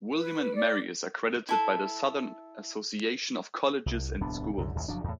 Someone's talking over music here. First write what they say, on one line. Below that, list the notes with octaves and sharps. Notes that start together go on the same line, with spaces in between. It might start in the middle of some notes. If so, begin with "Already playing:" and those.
William and Mary is accredited by the Southern Association of Colleges and Schools.
B4
D5
E4 A4
C2
D1 C2 B3 D4
C2 F#2 D3
A1 D#2
F#1 F3 F#3 D4
E2 A2